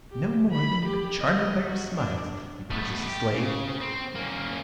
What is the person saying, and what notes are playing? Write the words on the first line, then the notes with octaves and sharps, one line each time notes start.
No more than you could charm me by your smiles, you purchased slave.'
G4
B5
G4
D#5
F#4
D4
A3 B3
G4
C#3
C4
A#3 C#4